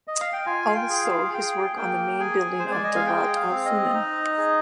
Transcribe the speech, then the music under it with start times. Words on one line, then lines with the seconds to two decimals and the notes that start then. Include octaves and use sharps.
Also his work on the main building of Darat Al Funun.
0.08 D#5
0.20 F5
0.33 G5
0.46 F4 G#5
0.68 F5
0.75 G5
0.90 G#4 G5
1.04 F5
1.33 G#4 G5
1.77 A#3 G5
2.20 G#4 G#5
2.59 G#3 C5
2.71 D5
2.84 D#5
2.95 F5
3.07 G#4 G5
3.36 F5
3.51 C4
3.65 D#5
3.94 D#4
4.38 G#4